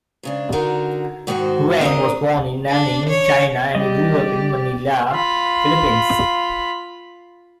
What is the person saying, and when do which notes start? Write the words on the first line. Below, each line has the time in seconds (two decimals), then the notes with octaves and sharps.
Huang was born in Nanning, China and grew up in Manila, Philippines.
0.23 G#2 C#3 D4
0.52 D3 D#4 F#4 A#4
1.27 G#2 D#3 E4 F#4 C5
1.81 C4 D4 F#4 A#4 D#5
2.69 D4
3.09 C#5
3.75 G3 G4 D5 D#5
5.11 F4 B5